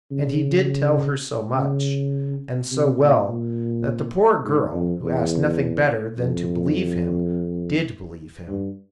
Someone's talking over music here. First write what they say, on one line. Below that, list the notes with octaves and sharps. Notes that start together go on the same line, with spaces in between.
And he did tell her so much, and so well, that the poor girl, who asked nothing better than to believe him, did believe him.
C#3
C#3
C3
A#2
A#2
G#2
F2
E2
F2
G2